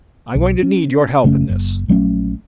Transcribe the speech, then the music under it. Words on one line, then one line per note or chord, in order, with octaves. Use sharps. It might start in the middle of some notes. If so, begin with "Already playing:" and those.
I'm going to need your help in this.
B1
C#4
F#1 C#3 A3 C#4
F#1
A#1 F#3 A3 C#4